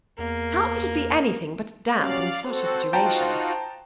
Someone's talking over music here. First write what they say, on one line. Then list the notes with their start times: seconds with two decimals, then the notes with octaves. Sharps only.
How could it be anything but damp in such a situation?
0.19 E2 A#3
1.98 F#3 G3 C#4 D5 F5
2.46 C4 F#4 A4 C5
2.93 D#4 F4 F#4 G5 A5 A#5